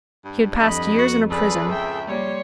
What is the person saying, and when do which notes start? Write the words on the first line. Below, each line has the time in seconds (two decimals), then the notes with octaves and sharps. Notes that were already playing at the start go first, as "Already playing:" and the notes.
He had passed years in a prison.
0.25 G2
0.61 F2 D#5 B5
0.99 F#4
1.30 C#2 G#4 A4 B4 D5
1.71 E5 G5
2.08 G3 A#3 C#5 C6